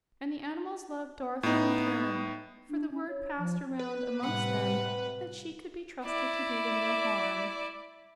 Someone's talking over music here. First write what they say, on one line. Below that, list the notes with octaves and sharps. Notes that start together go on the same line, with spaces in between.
And the animals loved Dorothy in turn, for the word passed around amongst them that she could be trusted to do them no harm.
A2 B3 D#4
D4
C#4
C#5
F3
B4
A2 C3 G3 F#5 B5
E4 D5